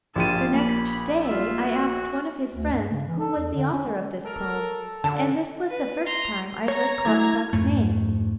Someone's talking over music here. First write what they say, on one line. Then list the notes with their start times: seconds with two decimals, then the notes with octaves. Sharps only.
The next day I asked one of his friends who was the author of this poem, and this was the first time I heard Klopstock's name.
0.16 A#1 F4 G4 A5 D#7
0.54 A#3 B5
1.25 F4 E5
1.65 F#4
2.54 D2
2.71 G2
2.91 C#3
3.07 E3
3.19 A4
3.37 E2
3.54 D3
3.72 C#4
3.86 G#3
4.25 A4 A#4
5.04 A#2 D3 F#3 A5
5.69 B4
6.06 A#5 C6
6.68 C#5 A#5
7.05 F#3 A3 D4 E4 G#6
7.53 F2 G#2 A3